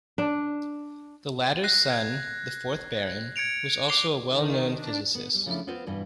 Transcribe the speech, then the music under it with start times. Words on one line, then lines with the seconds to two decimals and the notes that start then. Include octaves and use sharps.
The latter's son, the fourth Baron, was also a well-known physicist.
0.18 D4
1.64 F#6 A#6 C7
1.90 G#6
3.36 G#6 C#7 D7 F7
3.88 D6 C7 F7 G7
4.28 D#3
4.71 D4
5.15 B3
5.34 G3
5.46 C#3 F3 G3 A3 D4 E4
5.67 B3 C4 F4 B4 C5
5.87 G2 B2 E3